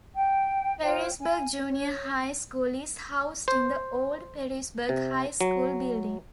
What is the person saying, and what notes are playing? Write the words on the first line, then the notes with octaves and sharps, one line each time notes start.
Perrysburg Junior High School is housed in the old Perrysburg High School building.
G5
F4 C5 C#5 G5
G#5
C#5
C5
C3
F#3